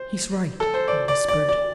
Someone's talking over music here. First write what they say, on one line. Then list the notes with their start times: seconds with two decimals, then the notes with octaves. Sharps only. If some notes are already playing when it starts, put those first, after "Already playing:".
"He's right!" he whispered.
Already playing: C5
0.60 A4
0.74 C5
0.88 D5
1.08 D5
1.28 D5
1.49 D5